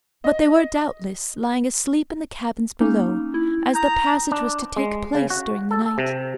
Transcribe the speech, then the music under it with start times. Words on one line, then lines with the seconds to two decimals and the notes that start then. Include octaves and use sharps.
But they were, doubtless, lying asleep in the cabins below, as the passage was to take place during the night.
0.24 D#5
2.81 A#3 C#4 D#4
3.34 E4
3.75 A#5 D#6 G6
4.32 D4
4.76 G#3
5.15 C#3
5.30 F#4
5.71 A4
5.86 A4
5.98 C3